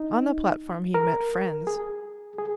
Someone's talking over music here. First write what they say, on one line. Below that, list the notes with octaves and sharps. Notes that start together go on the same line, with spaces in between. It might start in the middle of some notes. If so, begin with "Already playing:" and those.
On the platform he met friends.
Already playing: D#4
A#4
G#4
G#4